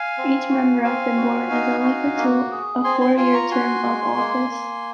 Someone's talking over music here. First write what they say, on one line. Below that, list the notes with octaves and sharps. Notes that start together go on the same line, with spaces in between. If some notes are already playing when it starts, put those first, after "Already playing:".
Each member of the board is elected to a four-year term of office.
Already playing: F5 G#5
C4
F#4
C4 F5 G#5
F#4
D#4
F#4
A#3
G#4
C4 G#5 C6
G#5 C6
F4 G#5 C6
A#5 C#6
F#4 G#5 C6
G#3
A#3
A#3